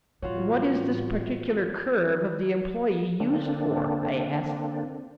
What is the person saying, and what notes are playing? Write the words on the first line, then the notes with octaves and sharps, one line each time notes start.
"And what is this particular Curve of the employe used for?" I asked.
A2 E3 G3 C4 F4 F#4 C#5
D3 A#3 C4 D4